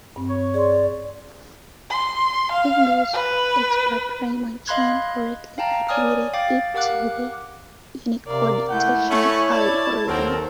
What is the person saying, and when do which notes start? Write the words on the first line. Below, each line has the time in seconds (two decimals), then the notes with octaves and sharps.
Windows expert Raymond Chen correctly attributed it to the Unicode detection algorithm.
0.16 G2 C4
0.29 C#5
0.54 G#4 D5 C6
1.90 C6
2.52 F5
3.14 B4
4.67 D#5 F5 B5 C6 F#6 G#6
5.58 F5 G5 A5 A#5
5.89 C#5 D5 G#5 D#6 F6
6.34 F5 G5 D6 A6
6.74 G4 A#4 F5 F#5 D6 F#6
8.26 C3 A#4 D5 F5
8.69 G#3 A3 E4 F#5 G6
9.09 A3 C#4 C#5 F#6
9.50 D5 A5 G#6
10.07 D#2 D#3 F#3 C4 A4 A#4